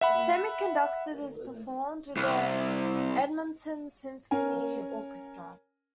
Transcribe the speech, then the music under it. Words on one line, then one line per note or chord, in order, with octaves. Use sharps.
"Semi-Conducted" is performed with the Edmonton Symphony Orchestra.
E5 F#5 B5
C2
C#4 A#4 G#5